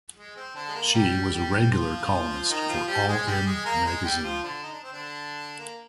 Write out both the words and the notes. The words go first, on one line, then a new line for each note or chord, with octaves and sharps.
She was a regular columnist for "All In" magazine.
G#3
C4
D3 D4
G#3
A#3
G3 G4
G3 G4
F3 F4
D#3 D#4
F3 F4
G3 G4
G#3 G#4
G3 G4
G#3 G#4
A#3 A#4
G#3 G#4
G3 G4
G4
F3 F4
D3 D4
D#4
D4
C4
D3 D4
A#3